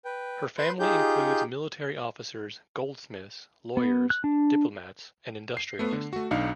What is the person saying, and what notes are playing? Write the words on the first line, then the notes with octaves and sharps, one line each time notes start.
Her family includes military officers, goldsmiths, lawyers, diplomats and industrialists.
B4 G5
B4 B5 C6 G6
D#4 F4 G4 G#4 G6
B3
F#6
D4
C7
A3 B3
D3
A3 F#4
B1 D4 D#4 F5 C#7